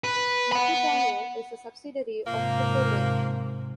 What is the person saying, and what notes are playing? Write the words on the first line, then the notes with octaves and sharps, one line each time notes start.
Matutano is a subsidiary of Frito-Lay.
B4
F#5 B5
G#2 C3 F3 A#3